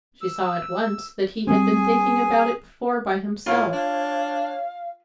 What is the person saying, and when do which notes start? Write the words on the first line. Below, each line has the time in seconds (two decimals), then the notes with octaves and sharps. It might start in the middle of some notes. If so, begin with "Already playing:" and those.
She saw at once that he had been thinking about it before by himself.
0.21 E6
1.47 G3 C4 G#4 G#5
3.46 A2 F4 C#5
3.73 D4 F5